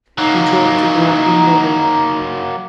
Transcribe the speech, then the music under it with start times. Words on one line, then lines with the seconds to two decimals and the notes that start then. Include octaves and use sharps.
He drove to the Latvian border.
0.18 F#3 A#3 D#4